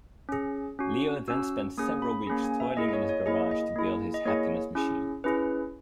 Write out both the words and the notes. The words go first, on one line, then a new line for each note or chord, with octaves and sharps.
Leo then spends several weeks toiling in his garage to build his Happiness Machine.
C#4 G#4
C#4 F#4
C#4 F#4 E6
A#3 C#4 G#4 D#6
B5
A#3 C#4 G#4
G#5
E5
A#3 E4 G#4 D#5
D#5
C#5
C#5
A#3 E4 G#4 D#5
D#5
A#3 E4 G#4
D#5
A#3 E4 G#4 C#5
C#4 E4 G#4
C#4 E4 G#4 B4